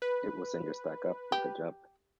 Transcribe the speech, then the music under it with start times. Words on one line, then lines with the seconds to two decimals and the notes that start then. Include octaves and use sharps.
It will send your stock up with a jump.
0.02 B4
1.32 G4